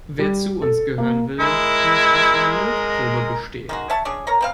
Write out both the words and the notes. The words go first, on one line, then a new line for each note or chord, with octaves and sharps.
Wer zu uns gehören will, muss erst eine Mutprobe bestehen.
G3
A4
A#3
G#3 E4 A#4
D#3 G#3 F#4
C#5 E5 F#5 A5
C#4 D4 G#4 C#5
A#4 C#5 A#5
B3 C4 F5